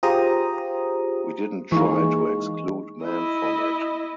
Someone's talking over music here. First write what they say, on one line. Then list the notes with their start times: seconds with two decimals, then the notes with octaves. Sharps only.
We didn't try to exclude men from it.
0.03 F4 G4 G#4 C5 A#5 D#6
1.72 E3 G#3 A#3 D#4 C#6
3.03 E4 D#5